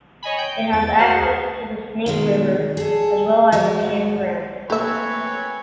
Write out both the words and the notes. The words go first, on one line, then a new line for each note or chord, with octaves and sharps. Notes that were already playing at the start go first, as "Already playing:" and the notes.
It has access to the Snake River, as well as a campground.
C#5 D#5 G#5 B5
G5
E2 A6
F#4 A#4 C5 F5 F#5
D2 G#4
B2 D#3 G#3
G#4 A4
D#2 G#2 F#3 G#3 F#4
A3 A#3 C4 G4 B4 C#5 E5 G#5